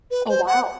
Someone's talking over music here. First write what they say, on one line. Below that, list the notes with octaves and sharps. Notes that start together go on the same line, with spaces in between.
Oh, wow.
B4
C5
F#5